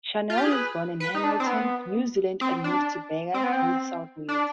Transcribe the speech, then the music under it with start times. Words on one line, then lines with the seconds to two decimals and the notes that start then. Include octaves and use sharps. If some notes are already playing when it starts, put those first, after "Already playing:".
Chanel was born in Hamilton, New Zealand, and moved to Bega, New South Wales.
0.30 F4
0.38 G4
0.45 G#4
0.53 B4
1.00 B4
1.15 D#4
1.24 D4
1.40 C4
1.47 B3
2.41 C4
2.64 D4
3.34 C4
3.44 B3
3.52 C4
4.28 D4